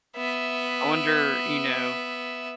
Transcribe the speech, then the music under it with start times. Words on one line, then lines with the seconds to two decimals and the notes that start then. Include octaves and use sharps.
I wonder, you know
0.16 B3 E5